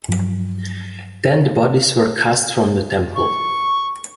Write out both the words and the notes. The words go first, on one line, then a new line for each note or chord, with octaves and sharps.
Then the bodies were cast from the temple.
G2 F3 F#3
C#6